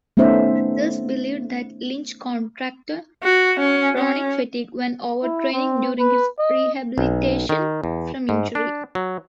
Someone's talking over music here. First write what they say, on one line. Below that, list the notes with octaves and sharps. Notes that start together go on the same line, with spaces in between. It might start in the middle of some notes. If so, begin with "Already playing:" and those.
Others believed that Lynch contracted chronic fatigue when overtraining during his rehabilitation from injury.
A3 B3 C#4 D#4 C5 E5
F#4
C#4
C#4
E4
C4
B4
D#5
B1
D#3
E2
G#2
D4
F#3